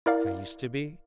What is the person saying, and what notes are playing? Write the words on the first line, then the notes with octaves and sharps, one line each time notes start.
"As I used to be?"
E4 A#4 D5 F5